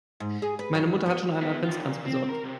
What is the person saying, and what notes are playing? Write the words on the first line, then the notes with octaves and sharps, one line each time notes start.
Meine Mutter hat schon einen Adventskranz besorgt.
G#2
G#4
B4
F#3
B3
B3 E5
D#3 F4
A#2
C4
A#4
C3